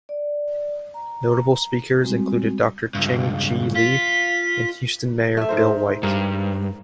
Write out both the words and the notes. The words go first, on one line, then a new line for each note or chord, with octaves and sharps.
Notable speakers included Doctor Cheng Chi Lee and Houston Mayor Bill White.
D5
A#5
A#5
G3 G#3 C4 F#4
C#2 G2
F4 B6
A3 E5
G#2 A#4 C5
G2 A#4